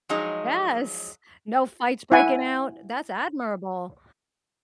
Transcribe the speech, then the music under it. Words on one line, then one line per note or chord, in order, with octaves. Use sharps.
Yes. No fights breaking out? That's admirable.
F3 F#3 G#3 D#4
E4 F#5 G#5